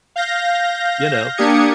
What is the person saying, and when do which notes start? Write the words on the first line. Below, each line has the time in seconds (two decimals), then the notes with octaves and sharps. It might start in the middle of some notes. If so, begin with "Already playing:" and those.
You know?
0.16 F5 G6 A#6
1.37 A#3 D4 G4 D#6 G#6 C#7